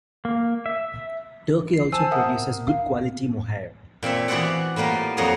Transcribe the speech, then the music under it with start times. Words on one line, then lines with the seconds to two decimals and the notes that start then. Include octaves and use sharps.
Turkey also produces good-quality mohair.
0.25 A#3
0.66 E5
1.74 C7
1.92 C5 G#5 A5 E6
2.11 A#4 E5 F#5 D#6
2.68 F5
4.03 A#2 C4 C#5 E5
4.28 E3 B3 F#4 C5 D5 F#5
4.76 A2 G3 A#3 B3 F4
5.17 F2 F#3 A#3 C#5 A#5 C6